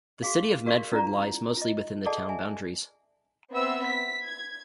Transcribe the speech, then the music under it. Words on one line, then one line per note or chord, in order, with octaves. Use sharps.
The City of Medford lies mostly within the town boundaries.
F#4 G#4 F5
F#4 A#4 D5 F5 C#6
C#4 E4 F4 D5 A#5
F4 D#5
G#4 A4 D5 D#5 F#5 A5
E5 G#5
B3 C4 E5 E6
B6
G#6